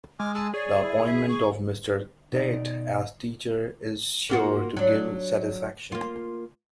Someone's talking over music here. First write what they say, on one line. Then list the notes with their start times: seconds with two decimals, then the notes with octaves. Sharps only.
The appointment of Mr. Tait as teacher is sure to give satisfaction.
0.19 G#3 G#5 D6 F6
0.35 G#4 G#5 A5 E6
0.54 G#4 C#5 D5
0.82 E4
1.06 E5
1.29 C#6
2.32 B2 D#4 D5
4.29 A#3 F4 F#4
4.77 F#3 D4
5.92 A#3 F4